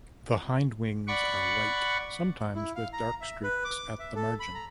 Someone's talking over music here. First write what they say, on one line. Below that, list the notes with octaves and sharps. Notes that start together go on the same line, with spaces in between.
The hindwings are white, sometimes with dark streaks at the margin.
D5 F#5 B5 C#6
E4
F5
A#5
E5
B4
D6
E5
A4
B5
A#5